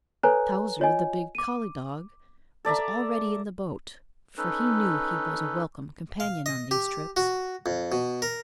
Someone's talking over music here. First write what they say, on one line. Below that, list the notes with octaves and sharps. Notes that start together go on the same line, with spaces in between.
Towser, the big collie dog, was already in the boat, for he knew he was a welcome companion on these trips.
A4 B4 C#5 G#5 A#5 F#6
F4 C#5 D#5 G#5
D6 D#7
A4 D5 E5 A#5
C#4 D#4 A4 B4
F5
D#5
G4
F#4
F2
B2
A#4